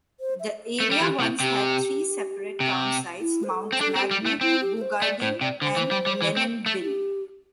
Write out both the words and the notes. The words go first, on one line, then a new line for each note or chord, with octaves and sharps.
The area once had three separate town sites - Mount Magnet, Boogardie, and Lennonville.
C5
E5
A3 A4
G3
E3 G4
C3 E4
C3 G4
C3
E4
C5
A4
C4
D4 A4
C4
G4
G3
E4
A3
C4 E4
G4
A4
C5
A3 D5
A2 C5
C3 D5
D3 C5
E3
G3
G3
E3
C4
A3
G4